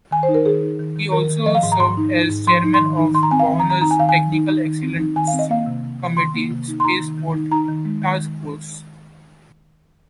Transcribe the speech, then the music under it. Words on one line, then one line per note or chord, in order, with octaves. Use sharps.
He also served as Chairman of the Governor's Technical Excellence Committee Spaceport Task Force.
D#3 G#5
C5
D#4
A#4
D#3 G#4
D#4
D#3
D#3
D#3 A#4
D#3
F3 D#5
F5
G#2
A#5
G#2 C6
D#4
D#4
G#2
F3 C6
D#4
C6
D#3
D#4
D#3 C6
A#5
C4 G#5
F5
C4
A#5
D#3
A#5
D#4 A#5
G#5
D#3 F5
G#5
D#3
D#4
D#4
D#3
C4
D#4
D#3 G#5
F5
C4
D#5
A#3 F5
C3
C3
C3
D#3 C6
A#3
C3
D#4
C6
D#4 A#5
D#3
D#3
D#4
D#4 A#5
D#3
G#3
D#3